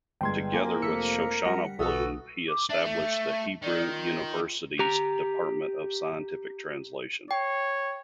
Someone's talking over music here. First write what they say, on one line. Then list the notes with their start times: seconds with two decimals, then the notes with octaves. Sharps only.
Together with Shoshana Bloom, he established the Hebrew University's Department of Scientific Translation.
0.21 G1 G#3 G5 C6 G#6
0.53 F3 A#3 A#4 G#5
0.82 F1 A4 E6 B6 C#7
1.45 G3 F#5 A#6
1.79 B1 E3 F#4 A4 D#6
2.48 D6
2.69 D4 E5
2.85 A3
3.62 D#3 D5
3.86 F4
4.79 G4 A#5
7.31 C#5 G5